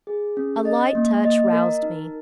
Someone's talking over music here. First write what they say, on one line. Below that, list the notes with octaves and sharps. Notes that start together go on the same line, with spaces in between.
A light touch roused me.
G#4
C#4
D#5
A#3
D#5
A#4
D#4